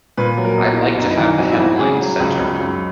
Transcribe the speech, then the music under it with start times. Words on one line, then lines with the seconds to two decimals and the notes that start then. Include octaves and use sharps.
I'd like to have the headline centred.
0.17 A#2 B4
0.37 F#3
0.45 A#4
0.58 B1
0.72 E4
0.79 B1
0.98 F#2 D#4
1.09 E4
1.18 E3 D#4
1.38 G#1 F#4
1.52 E4
1.59 G#1 F#4
1.79 C#3 G#4
2.00 F#3
2.20 C#2
2.40 C#2
2.60 F#2